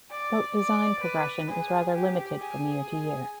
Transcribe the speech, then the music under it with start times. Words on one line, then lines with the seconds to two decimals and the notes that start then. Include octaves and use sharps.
Boat design progression is rather limited year to year.
0.11 D5
0.57 D5
1.03 B4
1.49 G#4
1.94 G4
2.40 G#4